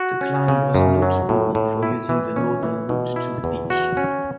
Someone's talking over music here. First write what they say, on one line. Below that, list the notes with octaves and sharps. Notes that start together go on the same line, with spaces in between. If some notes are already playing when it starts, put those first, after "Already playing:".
The climb was notable for using the northern route to the peak.
Already playing: F#4
C#4
C#3
F#2
F#3
A2
A2
E4
E3
C#4
E3
B2
E4
E2
F#4
C#4